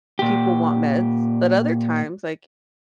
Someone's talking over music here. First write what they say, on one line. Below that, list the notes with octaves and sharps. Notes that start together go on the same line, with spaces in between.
people want meds, but other times, like,
A#2 G4